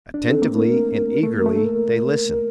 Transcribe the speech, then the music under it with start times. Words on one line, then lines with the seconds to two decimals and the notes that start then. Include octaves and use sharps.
Attentively and eagerly they listened.
0.14 D4
0.28 C4 A4
0.42 A#3
0.55 A3 A#4
1.23 A3 A#4
1.34 A#3 A#4
1.46 A3 A4
1.65 A#4